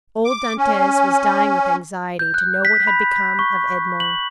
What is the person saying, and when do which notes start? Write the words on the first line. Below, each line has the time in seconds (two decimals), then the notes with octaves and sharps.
Old Dantes was dying with anxiety to know what had become of Edmond.
0.25 D6
0.58 C#4
2.19 G6
2.34 F#6
2.65 B6
2.87 B5
3.16 B6
3.39 C#6
4.00 F#7